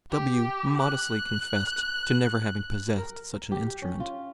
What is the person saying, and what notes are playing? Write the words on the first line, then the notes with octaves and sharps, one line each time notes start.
W---- modestly confessed to never having possessed such an instrument.
G4
F#6
A#4
G4
C#4
F4